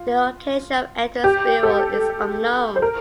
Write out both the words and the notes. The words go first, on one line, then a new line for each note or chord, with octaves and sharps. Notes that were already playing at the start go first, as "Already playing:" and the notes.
The location of Edward's burial is unknown.
Already playing: F4
G4
A4
C5
A#4